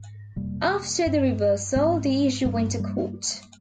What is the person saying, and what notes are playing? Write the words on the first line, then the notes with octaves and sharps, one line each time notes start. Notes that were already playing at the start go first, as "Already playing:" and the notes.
After the reversal, the issue went to court.
Already playing: G#2
F2 C3 G3 A#3
G2
G#2 G#3 C4
G2 G3 A#3
G3 A#3